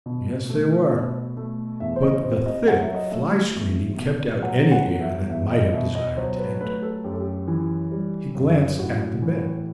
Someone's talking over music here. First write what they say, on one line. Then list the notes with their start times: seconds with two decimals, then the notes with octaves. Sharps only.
Yes, they were; but the thick fly-screening kept out any air that might have desired to enter. He glanced at the bed.
0.06 B2
0.49 A3
0.93 B2
1.37 A3
1.80 E2 E5
1.96 C5
2.02 D#5
2.24 C3 C5
2.46 D#5
2.68 F#3 F#5
2.81 E5
2.95 D#5
3.08 A3 E5
3.55 E2
3.99 B2
4.42 F#3 F#5
4.72 F#5
4.86 E2
5.01 E5
5.30 E2 E5
5.52 D#5
5.69 D#5
5.73 B2 E5
5.95 D#5
6.17 F#3 C5
6.39 B4
6.61 A3 B4
6.82 A4
7.04 F#2 G4
7.12 A4
7.20 G4
7.48 E3
7.92 G3
8.35 F#2
8.79 A2 F#4
9.22 E3